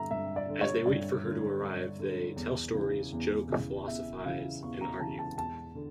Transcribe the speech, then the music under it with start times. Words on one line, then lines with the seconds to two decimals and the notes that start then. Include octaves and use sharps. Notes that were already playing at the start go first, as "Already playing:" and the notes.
As they wait for her to arrive they tell stories, joke, philosophize, and argue.
Already playing: G2 D3 E5 A#5
0.11 G2 E5
0.36 D5
0.49 D3
0.61 C#5
0.86 G2 D5
1.24 D3
1.62 G2
1.99 D3
2.36 E2
2.74 C#3 E3
3.13 E2
3.49 C#3 E3
3.87 E2 E5
4.25 C#3 E3 F5
4.63 E2 C#6
4.81 A#5
5.00 C#3 E3 A5
5.19 A5
5.37 E2 A5
5.75 D3